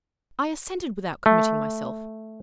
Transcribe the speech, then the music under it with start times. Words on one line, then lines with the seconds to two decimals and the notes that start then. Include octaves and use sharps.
I assented, without committing myself.
1.26 A3